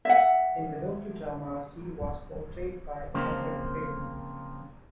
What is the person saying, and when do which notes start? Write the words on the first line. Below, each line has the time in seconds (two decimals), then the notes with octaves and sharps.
In the docudrama he was portrayed by Albert Welling.
0.05 E5 F#5
3.14 C#3 F3 A#3 C4